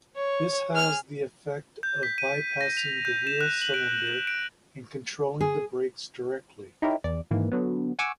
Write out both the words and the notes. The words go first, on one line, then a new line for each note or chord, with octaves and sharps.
This has the effect of bypassing the wheel cylinder and controlling the brakes directly.
C#5
G#4 F6
G6
B6
D#7
A#6
F7
G6
E7
F#6
F#7
D7
E7
D7
G#4
D#4 E4 G4 A#4 C#5
E2 D5
G#2 D#3 E3 A#3
D3 F#3 B3
F#5 G#5 C#6 D6 E6